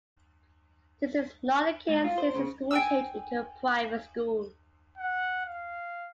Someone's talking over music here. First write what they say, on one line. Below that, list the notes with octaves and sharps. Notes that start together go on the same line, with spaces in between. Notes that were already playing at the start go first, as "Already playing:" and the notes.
This is not the case since the school changed into a private school.
G#2
F4
C5
C#3
G5 G#5 E6
F#5
F5